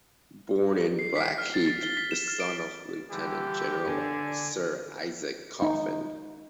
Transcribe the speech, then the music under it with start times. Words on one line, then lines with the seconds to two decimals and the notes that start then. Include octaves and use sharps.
Born in Blackheath, the son of Lieutenant General Sir Isaac Coffin.
0.99 C7
1.16 B6
1.38 F6
1.54 A6
1.66 A6
1.83 G7
1.97 B6
2.11 E7
2.28 F6
2.40 D7
3.10 D3 E3 G3 G4
3.87 D3 G#5 D6
5.62 D#4